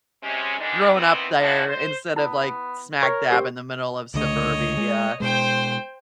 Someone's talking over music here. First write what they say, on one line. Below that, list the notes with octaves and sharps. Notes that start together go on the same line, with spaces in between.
grown up there instead of like smack dab in the middle of suburbia
C3 G#3 C#4
G#2 D#3 E3 G#3 D4
D#3 E3 B3 C4
D#3 F3 G#3 D4 E4 F#4
C5
B3 E4
A#4 C#5
C#4 G4 A#4 C5
C#2 D3 A3 C#5 D#5
G#3
B2 G#3 C5 G5